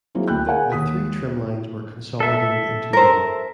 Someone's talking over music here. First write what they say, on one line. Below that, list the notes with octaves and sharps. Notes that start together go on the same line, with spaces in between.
The three trim lines were consolidated into one.
F#3 A#3 C4 E4 G#4
D2 G5 B5 F#6 G6
G#4 A#4 F5 F#5 G#5
D#2 D#6 B6
A4 E5
A#4 C5